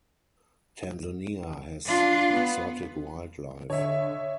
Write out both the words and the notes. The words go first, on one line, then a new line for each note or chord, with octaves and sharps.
Tanzania has exotic wildlife.
D4 F4
B3
D3 C#5 D#5 E5